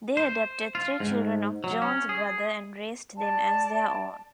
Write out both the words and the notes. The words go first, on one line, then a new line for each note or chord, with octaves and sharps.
They adopted three children of John's brother and raised them as their own.
C5
F4
G#2
F#3
C#4
G#4
D5 A5